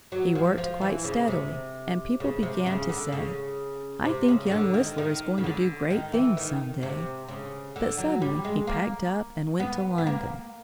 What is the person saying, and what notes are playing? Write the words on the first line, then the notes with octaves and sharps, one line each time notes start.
He worked quite steadily and people began to say: "I think young Whistler is going to do great things some day." But suddenly he packed up and went to London.
F#3
F3
F3
E3
C#3
C3
C#3
C3
C#3
D3
C#3
C3
C#3
C#3
D3
D#3
D#3
C#3
D3
D#3
E3
D#3
C3
C#3
D3
F#3
G3
G#3
A#3
B3
B3
A#3